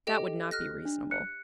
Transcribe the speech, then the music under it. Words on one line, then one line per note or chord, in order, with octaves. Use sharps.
That would not be reasonable.
G4 A4 D#5 G5
F6 F#6 A#6
D4
F#6 C#7